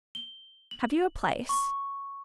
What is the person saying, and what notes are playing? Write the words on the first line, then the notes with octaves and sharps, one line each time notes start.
"Have you a place?"
G7
F#7
C#6